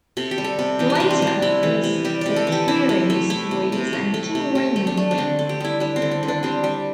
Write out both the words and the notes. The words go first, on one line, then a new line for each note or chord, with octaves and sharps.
Later, it was the Careys, Reace, and King Raymond Green.
C3 A4
G4
G3
A4
C3
E3 G4
C4
C3 D4
C4
G3 D4
C3 E4
E3
C3
G3 G4
C3 D5
A4
E3
G4
C3 E4
C3
A3
A3 E4
C3
C3
A3
A3
C3
C3
A3
D4
A3
D4
D3 C4
D3
G4
G3 E4
G3 D4
C4
D3
C4
D3
D4
G3 C4
G3